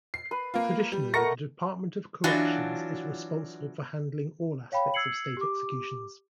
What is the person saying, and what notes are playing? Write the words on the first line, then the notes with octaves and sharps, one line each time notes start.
Traditionally the Department of Corrections is responsible for handling all aspects of State executions.
C7
B4
A#3 F4
G3
A3 A#4 F#5 C#6 A#6 C#7
E3 F#3 D4 F4 F#4
C#5 F5 G5 B5
E6 G#6 C7 C#7 F#7
G4 D6